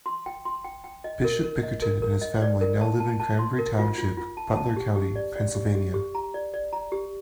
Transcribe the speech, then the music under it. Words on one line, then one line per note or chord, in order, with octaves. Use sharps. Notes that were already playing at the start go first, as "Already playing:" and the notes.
Bishop Bickerton and his family now live in Cranberry Township, Butler County, Pennsylvania.
C6
G5
C6
G5
G5
D#5
A#4
A#4
D#5
A#4
A#4
D#5
D5
A#4
A5
A5
A5
C6
A#4
F4
F4
F4
A5
A5
G4
G4
D5
D5
G4
G4
G4
A#5
D5
D5
A#5
G4